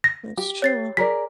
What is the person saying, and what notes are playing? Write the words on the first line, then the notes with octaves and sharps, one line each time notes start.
that's true.
A#6
G4
C#5 A6 C7
G#4 A#4 D5 B6